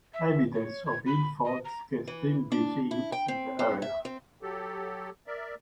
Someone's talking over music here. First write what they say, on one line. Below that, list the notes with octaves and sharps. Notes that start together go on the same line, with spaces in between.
Evidence of hill forts can still be seen in the area.
E5
C#5
G#6
B5
D#5
A#5
E3
D4
E4
G5
C4
C4
E5
C4
F#3 G4 A4
A#4 D5 E5